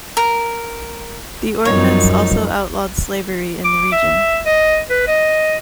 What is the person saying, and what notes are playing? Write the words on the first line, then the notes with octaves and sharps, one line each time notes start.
The ordinance also outlawed slavery in the region.
A#4
F#2 F3 G3 D#4 C#5
D6
E5
D#5
B4
D#5